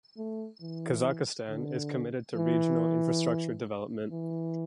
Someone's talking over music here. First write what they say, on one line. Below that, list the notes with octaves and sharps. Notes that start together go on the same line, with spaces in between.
Kazakhstan is committed to regional infrastructure development.
A3
E3
D3
E3
E3